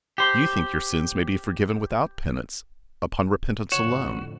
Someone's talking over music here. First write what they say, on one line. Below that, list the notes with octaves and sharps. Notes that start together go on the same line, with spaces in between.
You think your sins may be forgiven without penance, upon repentance alone.'
G4 C5
F2 A2 D3 F#4 C#5 E7